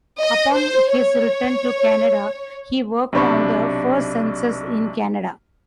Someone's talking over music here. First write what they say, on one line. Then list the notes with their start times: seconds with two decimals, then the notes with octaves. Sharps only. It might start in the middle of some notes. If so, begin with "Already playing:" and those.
Upon his return to Canada he worked on the first census in Canada.
0.21 D#5
0.53 C5
0.93 C#5
3.13 B1 C3 D4 B5 C#6